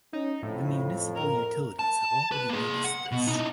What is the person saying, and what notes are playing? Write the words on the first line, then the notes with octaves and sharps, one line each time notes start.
The municipal utilities have already noticed this.
C#4 D#4
F2 A2
A#4
A5
B4
A#3 G#4
F#5
B2
D4 D#4